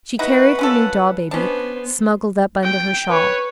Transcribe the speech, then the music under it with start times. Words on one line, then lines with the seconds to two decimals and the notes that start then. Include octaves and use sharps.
She carried her new doll-baby smuggled up under her shawl.
0.19 D#4 E4 F#4 B4 F#5
0.59 C#4 F4 A4
1.31 B3 C#4 D4 C5
2.63 G5
3.09 B4 C#5